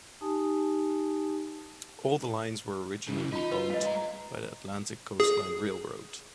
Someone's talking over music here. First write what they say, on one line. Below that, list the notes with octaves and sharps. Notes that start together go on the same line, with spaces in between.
All the lines were originally owned by the Atlantic Coast Line Railroad.
D#4 G4 G#5 A5 D#6
C#3 E3
D#4 F4 B5
F4 B4
C2 G2 D#5 F5
G#3 A#5
G#4